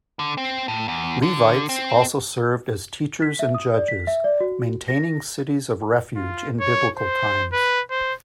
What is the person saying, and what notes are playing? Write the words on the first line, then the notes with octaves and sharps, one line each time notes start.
Levites also served as teachers and judges, maintaining cities of refuge in Biblical times.
D3
C4
A2
E2
D3
C4
B6
E5
D#6
D5
B6
E5
D5
F#4
A#6
F4
C#5
C5
B4
C5